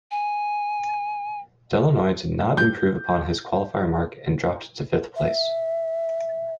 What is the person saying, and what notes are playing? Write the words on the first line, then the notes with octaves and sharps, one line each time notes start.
Delannoy did not improve upon his qualifier mark and dropped to fifth place.
G#5
G6
E5